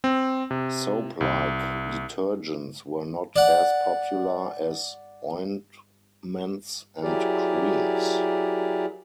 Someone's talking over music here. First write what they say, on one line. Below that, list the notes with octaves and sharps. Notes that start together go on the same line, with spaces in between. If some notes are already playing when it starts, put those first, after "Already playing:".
Soap-like detergents were not as popular as ointments and creams.
C4
C3
C2
D5 F#5
F#3 E4 G4 G#4 A#4 D5